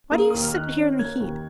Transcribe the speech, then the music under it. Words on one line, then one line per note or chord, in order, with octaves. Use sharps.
Why do you sit here in the heat?
A#3 D#6
D#2 D#6
F6
D#3 F#6
C#4
A#3 G#6
D#2